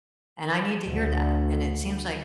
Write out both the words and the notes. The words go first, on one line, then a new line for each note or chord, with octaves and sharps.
And I need to hear that, and it seems like
D2